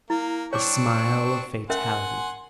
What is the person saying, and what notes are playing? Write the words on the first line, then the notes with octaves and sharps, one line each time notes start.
The smile of Fatality!
A#3 E4
C4 D4 C#5 C#6 D6
C#4 A#4 E5 F#5 G#5 C6